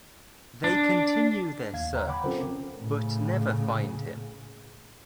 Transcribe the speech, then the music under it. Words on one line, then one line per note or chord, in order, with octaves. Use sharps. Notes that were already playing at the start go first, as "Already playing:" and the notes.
They continue their search, but never find him.
D4
D#2 F5 G#6
C#5 F5 G5 A#5
F#5 G5 B5 D6
C4 C#4 F4 A4 A#4 C5
A2 C#3